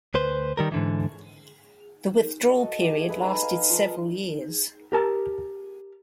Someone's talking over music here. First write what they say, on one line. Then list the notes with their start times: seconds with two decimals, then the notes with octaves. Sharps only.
The withdrawal period lasted several years.
0.14 D2 B4 C5
0.57 D#3 G3 A#4
0.72 G#2 D3 E3
2.47 F#4 A4 D#5
2.82 G4
3.08 G#4 B4 E5 G#5
3.23 B4 D#5 A#5
3.42 F5
3.70 F3 D#4
4.92 G4 A#4 A5